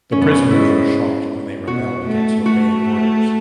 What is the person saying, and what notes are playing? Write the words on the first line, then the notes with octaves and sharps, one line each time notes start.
The prisoners are shot when they rebel against obeying orders.
F#2 C#4
B3
C#4
G#2 E4
B2 F#4
A3
A3 F#4